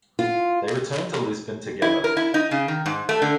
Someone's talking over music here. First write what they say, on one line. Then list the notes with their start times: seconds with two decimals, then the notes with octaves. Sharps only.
They returned to Lisbon together.
0.19 F4
1.82 E4
2.04 A#4
2.17 E4
2.34 D#4
2.51 C#3
2.68 D#3
2.86 G#2
3.09 A3
3.22 D3